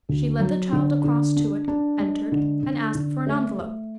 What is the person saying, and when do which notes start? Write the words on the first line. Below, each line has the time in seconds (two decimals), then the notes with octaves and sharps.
She led the child across to it, entered, and asked for an envelope.
0.09 D2
0.40 F#3
0.73 D3
1.04 D3
1.36 D4
1.68 D4
2.00 G#3
2.32 D3
2.63 D3
2.95 D3
3.27 A3
3.59 A3